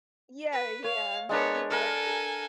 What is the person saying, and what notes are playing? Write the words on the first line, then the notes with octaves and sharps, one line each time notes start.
Yeah, yeah. Exactly.
B4
C#5 F5
G#3 B3 D4 A#4 C#5
A4 A#4 F5 G#5